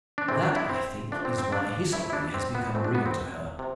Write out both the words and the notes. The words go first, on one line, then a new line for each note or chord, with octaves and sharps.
That I think is why history has become real to her.
D4
E2 C3 E3 A3 C4
D4
E4
C4
G2 D3 F3 A3 D4
C4
C4
D4
G2 F3 A3 E4
E4
D4
C4
B3
F2 E3 A3 C4
D4
B3
C4
C3